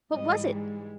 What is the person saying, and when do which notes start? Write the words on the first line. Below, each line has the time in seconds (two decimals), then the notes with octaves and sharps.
What was it?
0.13 G#2 E3 G3 D#5
0.49 G#3